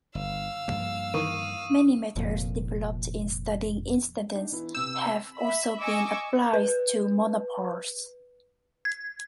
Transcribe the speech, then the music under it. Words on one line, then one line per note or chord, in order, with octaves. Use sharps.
Many methods developed in studying instantons have also been applied to monopoles.
G1 F5 E6
G2 F3 A#3
D#3 E3 C#6 D#6 D#7
F1 F2 A#2
D4 D#4
E3 B3 E4
C3 B4 E6 G6
E5 B5
D#5 G#5 C#6 D6 E6
B4
G#6